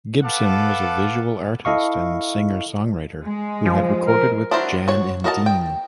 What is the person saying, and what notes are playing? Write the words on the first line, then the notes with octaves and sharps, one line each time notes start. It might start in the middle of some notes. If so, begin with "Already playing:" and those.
Gibson was a visual artist and singer-songwriter who had recorded with Jan and Dean.
A4 B4 F5 F#5 A5 D6
E4 A4 D#5 F5 C#6
G#3
F3
A#4
D4 E4 F#4 A#4 C5
F#4 C#5
F#4 A#4 D#5 E5 A5
G5